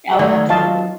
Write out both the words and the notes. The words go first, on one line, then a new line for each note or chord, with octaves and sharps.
Oh, absolute
D#3 A3 D5
F#3 F4 D#5 F5 A5